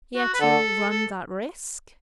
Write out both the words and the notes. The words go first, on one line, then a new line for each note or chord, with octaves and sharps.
"Yet you will run that risk?"
F#4
B4
D3 A4
A4